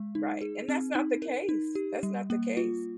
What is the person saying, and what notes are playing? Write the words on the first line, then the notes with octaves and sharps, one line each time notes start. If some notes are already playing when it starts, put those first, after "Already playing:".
Right, and that's not the case. That's not the case.
Already playing: G#3
D#4
G#4
C4
D#4
A#4
D#4
G4
G3
A#3
F4